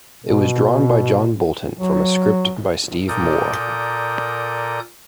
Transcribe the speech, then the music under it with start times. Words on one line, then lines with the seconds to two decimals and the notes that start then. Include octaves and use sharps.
It was drawn by John Bolton from a script by Steve Moore.
0.24 B2
1.79 F#3
3.08 A#2 A4 A#4 D5 D#6 G6